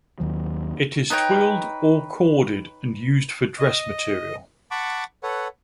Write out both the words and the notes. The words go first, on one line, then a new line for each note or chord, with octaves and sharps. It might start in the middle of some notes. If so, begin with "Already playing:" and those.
It is twilled or corded and used for dress-material.
D#2 D#3 F#3
D#4 B4 C#5 G5
D#5
F#5 A5 B5 C#6 D6
A4 B4 C#5 F#5